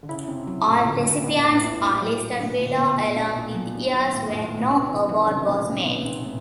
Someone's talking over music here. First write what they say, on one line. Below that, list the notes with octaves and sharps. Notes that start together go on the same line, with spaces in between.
All recipients are listed below, along with the years when no award was made.
D3
C#3 E4
C3
F#3
A2
A#2 D3
A#2
A2
A#2 B3
A2
A#2 E4
A2
A#2
F#3
B2 D3
A#2
B3
A#2
B2 D4
B2
A#2
F#3
B2
A#2 D#3
A2
A2
A#2 B3
B2
C3 D4
E3
D#3 F#3
C#3
A#2 D#3
C3
A#2
B2 B3
C3
A2